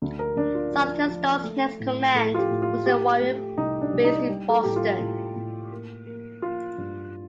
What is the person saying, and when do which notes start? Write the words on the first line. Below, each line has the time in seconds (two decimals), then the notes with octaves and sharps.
Saltonstall's next command was the "Warren", based in Boston.
0.02 D2
0.19 A#4
0.36 D2 D4
0.55 F4
0.73 F3
1.07 F3
1.44 A3
1.80 A2
2.14 A2 A4
2.34 F4
2.39 G4
2.51 A2
2.62 F4
2.86 A3 G4
3.22 A3
3.57 C2 D#4
3.81 D4
3.93 C2
4.04 D#4
4.29 G3
4.50 A4
4.63 A2 G4
4.76 F4
5.00 A2
5.36 A2
5.71 A#3
6.06 A#3
6.42 A#3 F4
6.78 G2